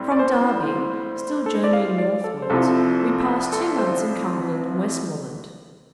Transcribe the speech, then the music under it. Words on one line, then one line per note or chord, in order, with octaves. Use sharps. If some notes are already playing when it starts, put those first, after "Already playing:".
From Derby, still journeying northwards, we passed two months in Cumberland and Westmorland.
Already playing: A2 G3 C4
D5
C5
A4
C5
D5
F5
D5
A4
C5
C2 C3 F3 A4
A4
C5